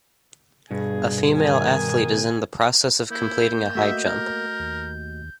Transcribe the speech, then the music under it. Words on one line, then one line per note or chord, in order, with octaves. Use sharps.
A female athlete is in the process of completing a high jump.
G2 B2 G#4
D#3 G#5
A#3 E4 G6
A3 F#4 D#5 E5
A#4
D#2